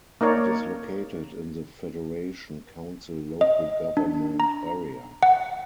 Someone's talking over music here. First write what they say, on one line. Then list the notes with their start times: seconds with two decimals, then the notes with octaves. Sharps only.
It is located in the Federation Council local government area.
0.21 A#3 D#4 A#4 C#5 D5
3.41 D#5
3.97 D4
4.40 A#5
5.23 F#5